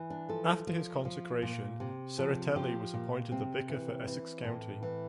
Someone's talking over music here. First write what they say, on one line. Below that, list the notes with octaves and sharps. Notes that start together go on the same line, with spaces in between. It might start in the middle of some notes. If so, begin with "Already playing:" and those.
After his consecration, Serratelli was appointed the vicar for Essex County.
Already playing: E3
D4
F3 A4
F3
F3
A#2
C3
F3
F3 G4
A#2
C3 C4
E3
E3
A2
E3